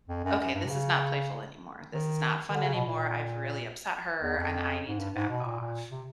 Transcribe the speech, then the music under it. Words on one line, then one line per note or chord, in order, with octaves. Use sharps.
okay, this is not playful anymore, this is not fun anymore. I've really upset her, and I need to back off."
F2
F#2
F#2
G2
C3
C#3
D#3
D#3
D3
C#3
B2
A#2
E2
F2
G#2
G2
G#2
B2
A#2
A#2
C3